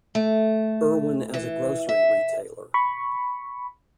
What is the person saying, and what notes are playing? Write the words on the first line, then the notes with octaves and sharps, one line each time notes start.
Irwin as a grocery retailer.
A3
E3
E5
B5 C#6